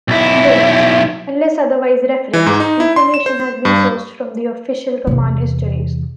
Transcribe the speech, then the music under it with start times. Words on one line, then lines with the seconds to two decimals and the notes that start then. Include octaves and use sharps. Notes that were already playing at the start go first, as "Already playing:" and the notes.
Note: unless otherwise referenced, information has been sourced from the official command histories.
0.08 B1 E4
2.33 E3
2.46 G#2
2.60 D#4
2.80 E4
2.96 C6
3.14 E7
3.26 C5
3.65 G2
5.07 E2 C3